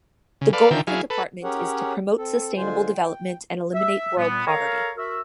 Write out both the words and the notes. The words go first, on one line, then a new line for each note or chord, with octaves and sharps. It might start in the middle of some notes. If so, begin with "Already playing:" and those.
The goal of the department is "to promote sustainable development and eliminate world poverty".
C#3
A4 B4 D5 F5
D3 D#3 F4 A#4 E5 G5
F#3 E4 G#4 F5
A4 B4
C#4 G4 G#4 A#4 C#5 F#5
C4 A4
D3 G#3 F4 C5 G#5
G5
E5
A#2 G3 B3
A4 A#4 C#5 F5 A#5
F#4 A#4 E5